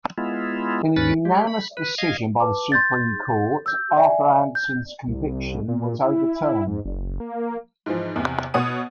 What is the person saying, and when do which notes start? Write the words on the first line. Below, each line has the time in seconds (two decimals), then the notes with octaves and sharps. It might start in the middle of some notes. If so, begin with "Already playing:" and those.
In a unanimous decision by the Supreme Court, Arthur Andersen's conviction was overturned.
0.18 G#3 B3 E4 F4
0.96 D#2 G#2 C#4 B4 B5 A6
1.25 G#3 G4
1.47 B5
1.77 B4
1.98 D#5 F5 G#6
2.40 B4 A5 D6
2.72 C6 G6 A6
3.66 E6 G6
3.96 D5 E5 G#5
4.55 G6
5.08 C2
5.68 A#2
6.00 E4
6.67 G#2
6.85 F#1
7.20 A#3
7.86 G#2 E3 F3
8.16 E2 C3
8.54 B2 C#5 F#5 D#6 D#7